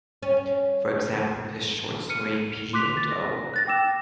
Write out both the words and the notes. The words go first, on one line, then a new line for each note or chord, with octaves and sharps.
For example, his short story, P. and O.
C#4
F6 C#7 D#7
C6 D6 F#6 B6 F7
A6
A#6
F#6 A6 A#6
G5 D6 E6 E7